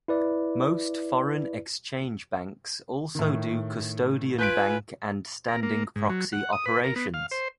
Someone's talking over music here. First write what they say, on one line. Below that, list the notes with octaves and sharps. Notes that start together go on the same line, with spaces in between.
Most foreign exchange banks also do custodian bank and standing proxy operations.
E4 B4 D5
A2 D#3
F4 B4 G#5 G6 B6 D7
A#4
A#3
G#2
F#3
F#5
D#6
B4
A#4
B3
F5
C5